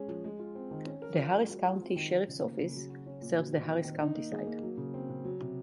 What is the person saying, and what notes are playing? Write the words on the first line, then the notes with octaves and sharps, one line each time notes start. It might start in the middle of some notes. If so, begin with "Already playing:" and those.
The Harris County Sheriff's Office serves the Harris County side.
Already playing: G#3 C#4 G#4
F3
G#3
F4
C4
D#3
C#4
A#4
F4
G#3
F#3
F4
C4
D#3
F3
C#3
A#3
C#3
F#3
F#4
C#4
A#2
F#3
D#3
C4
D#3
D#4
A#3
G#4
A#3
F#3
C#3
C4
C#3
F#3
C3